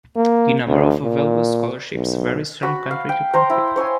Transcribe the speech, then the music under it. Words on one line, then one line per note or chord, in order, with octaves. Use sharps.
The number of available scholarships varies from country to country.
A#3
D2
A#2
B1
F#4 B5
F5
G5
C5 A#5 C#6
E4
C5 C#5 G#5 C6